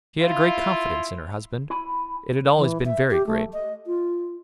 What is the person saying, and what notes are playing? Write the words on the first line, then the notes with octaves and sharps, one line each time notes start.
She had a great confidence in her husband; it had always been very great.
E4 F4
E4 G#5 B5
E3
E5
G4
A3
D#5
F4